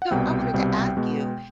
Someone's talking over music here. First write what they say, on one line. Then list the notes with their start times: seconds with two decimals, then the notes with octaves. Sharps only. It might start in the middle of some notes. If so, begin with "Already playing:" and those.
So I wanted to ask you,
0.02 F#5
0.11 C2 B2 G3 C4 G5
0.54 C2 B2 G3 C4
0.97 B2 G#3 B3